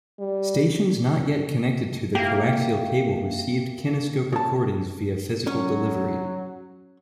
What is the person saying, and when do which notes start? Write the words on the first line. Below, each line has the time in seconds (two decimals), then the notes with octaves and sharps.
Stations not yet connected to the coaxial cable received kinescope recordings via physical delivery.
0.19 G3
2.15 A#3 E4 G4
4.33 C#3 A5
5.47 F#3 C#4 C#5